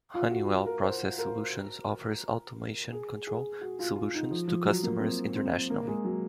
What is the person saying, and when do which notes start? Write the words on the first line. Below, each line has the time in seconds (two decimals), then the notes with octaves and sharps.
Honeywell Process Solutions offers automation control solutions to customers internationally.
0.14 F4
0.31 F#4
0.66 A#4
0.83 C5
1.18 A#4
2.92 G#4
3.27 G#4
3.61 F#4
3.79 F4
3.96 F4
4.14 D#4
4.31 F3
4.48 F3
4.65 F#3
4.83 A#3
5.00 C4
5.35 C4
5.70 A#3
5.88 G#3
6.05 F#3